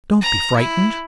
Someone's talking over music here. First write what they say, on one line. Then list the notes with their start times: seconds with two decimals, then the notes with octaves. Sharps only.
Don't be frightened.'
0.21 A#5
0.56 E4